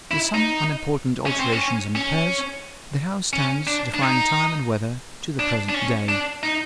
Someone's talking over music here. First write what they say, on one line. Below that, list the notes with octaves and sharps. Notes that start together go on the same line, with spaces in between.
With some unimportant alterations and repairs, the house stands, defying time and weather, to the present day.
E4
D#4
C#4
C4
C#4
C#4
C#4
D4
D4
D#4
D4
D4
C#4
D4
D#4